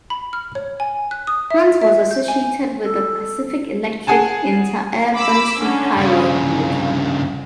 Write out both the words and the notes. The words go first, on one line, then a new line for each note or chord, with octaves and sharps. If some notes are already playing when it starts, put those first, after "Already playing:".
Hunt was associated with the Pacific Electric interurban streetcar railroad.
B5
F6
C#5
G#5
F#6
D#6
E5
E5
G6
G#5
A4
G#4 F#5 G#5 A5
B5 D6 E6
D3 C#4
G2 C#3
C2